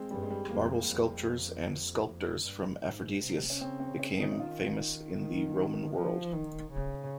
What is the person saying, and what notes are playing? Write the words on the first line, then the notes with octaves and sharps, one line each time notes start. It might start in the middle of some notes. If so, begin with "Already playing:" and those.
Marble sculptures and sculptors from Aphrodisias became famous in the Roman world.
Already playing: G#3 C4
G2 G3
G#3
G3
F2 A#3
F2
F2
G2
G#2
C3
C#4
C#3 C4
C4
C#4
D#4
D#4
D#3 F4
D#3
F3
D#3
C#3